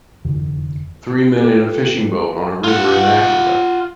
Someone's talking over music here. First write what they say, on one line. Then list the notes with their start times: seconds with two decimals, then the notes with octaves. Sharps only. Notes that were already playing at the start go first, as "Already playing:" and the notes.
Three men in a fishing boat on a river in Africa.
0.25 F1 E2 D3 E3
1.39 F4 G4 A4 B4
2.64 F4 F#5